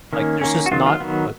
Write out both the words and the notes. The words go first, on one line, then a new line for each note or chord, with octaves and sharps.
Like there's just not a
D#3 A#3 C#4
D#3 A#3 C#4
F#4
D#3 F#3 B3 F4
F4
D#3 F#3 B3